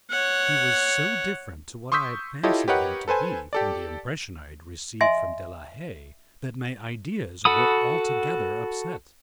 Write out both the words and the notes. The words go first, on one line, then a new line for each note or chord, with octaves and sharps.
He was so different to what I had fancied him to be from the impression I had received from De la Haye, that my ideas were altogether upset.
C#5 F#5
C6 C#6 D#6 E6 G6 B6
E4 F4 G4 A4 C#5 D#5
G4 A#4 B4 C#5 D#5 F#5
A4 B4 C5 G#5
G4 A4 D5
D#5 E5 G#5 C6
F#4 A4 F#5 B5 D#6